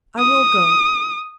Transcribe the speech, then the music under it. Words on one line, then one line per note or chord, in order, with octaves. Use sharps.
'I will go.
D#6